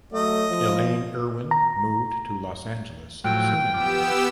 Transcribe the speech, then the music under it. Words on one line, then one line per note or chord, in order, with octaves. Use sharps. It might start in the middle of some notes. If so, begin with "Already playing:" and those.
Elaine Irwin moved to Los Angeles soon after.
F#3 A3 D#5
F3
A#5
A2 F3 F#3 G5
F3 B3 G4 D6 E6